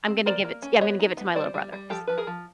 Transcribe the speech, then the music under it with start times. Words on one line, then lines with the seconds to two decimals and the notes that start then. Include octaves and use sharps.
I'm gonna give it t yeah, I'm gonna give it to my little brother. His
0.08 C4
0.26 A#3 C5 D5
0.44 A#3
0.62 C#4
0.81 B3 C#5 D#5
0.99 D#4
1.17 B3
1.35 G3 C5 D5
1.54 G3
1.73 G3
1.90 F3 G4 A4
2.07 F3 B4
2.18 G#4 A#4
2.27 F3